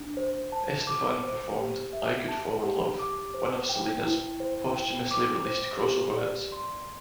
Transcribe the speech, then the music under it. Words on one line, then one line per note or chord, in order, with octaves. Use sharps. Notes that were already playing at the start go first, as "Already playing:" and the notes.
Estefan performed "I Could Fall in Love", one of Selena's posthumously released crossover hits.
Already playing: D4
C5
A5
D6
C5
G4
E5
A5
G4
D6
C5
G5
E4
C5
G5
D6
C5
G4
D5
C6